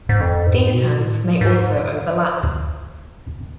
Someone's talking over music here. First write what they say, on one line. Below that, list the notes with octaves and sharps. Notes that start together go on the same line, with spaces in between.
These terms may also overlap.
G#2
F2
G#2
B2
A2
G#2